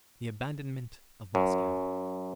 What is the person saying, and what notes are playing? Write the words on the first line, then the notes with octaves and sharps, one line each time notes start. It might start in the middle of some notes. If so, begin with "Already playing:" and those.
"The abandonment of Moscow."
F#2